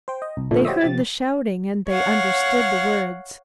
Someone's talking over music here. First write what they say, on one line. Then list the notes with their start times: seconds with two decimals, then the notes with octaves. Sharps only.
They heard the shouting, and they understood the words.
0.08 C5 G5
0.22 D#5
0.37 C2
0.51 A#2 D3 F3 A3 D4
0.65 F#4 G4 C5 C#5 D#5 E5
0.81 C3 F3 G4 A6
1.89 C#5 F5 F#5